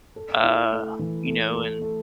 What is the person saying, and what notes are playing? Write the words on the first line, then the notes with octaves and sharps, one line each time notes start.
uh, you know and
A4
E4
A3
E3
A3
A4
A3